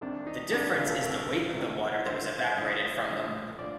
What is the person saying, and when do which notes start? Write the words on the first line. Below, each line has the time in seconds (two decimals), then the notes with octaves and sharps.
The difference is the weight of the water that was evaporated from them.
0.01 C2 C3 D#3 D4
0.27 D#4
0.52 C2 C3 D#3 D4
0.78 F4
0.90 A4
1.03 C2 C3 D#3 A#4
1.55 C2 C3 D#3
2.06 G2 D3 F3 C5
2.57 G2 D3 F3 D#5
3.04 D#5
3.08 G2 D3 F3 F5
3.59 D3 F3 D5